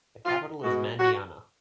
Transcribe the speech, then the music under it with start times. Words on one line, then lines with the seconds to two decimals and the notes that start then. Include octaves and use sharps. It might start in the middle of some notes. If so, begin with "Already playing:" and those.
The capital is Mandiana.
0.26 F4
0.62 B2 G#3 F#4
0.99 F#4